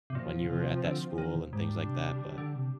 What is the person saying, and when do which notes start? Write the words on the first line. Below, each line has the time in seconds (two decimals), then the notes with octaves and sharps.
when you were at that school and things like that, but
0.10 C3
0.15 A#2 F3 C4 F4
0.44 D3
0.50 C3
0.84 D3
1.18 D#3
1.35 A#2
1.52 G#2 G3 D4 G4
1.87 C3
2.21 D3
2.38 D3
2.55 C3